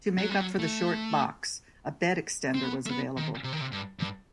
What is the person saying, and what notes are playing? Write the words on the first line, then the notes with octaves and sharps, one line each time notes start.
To make up for the short box, a bed extender was available.
F#3
G3
F#3
A3
C4
B3
A3
B3
D#3
C3
D#3
C3
G2
G2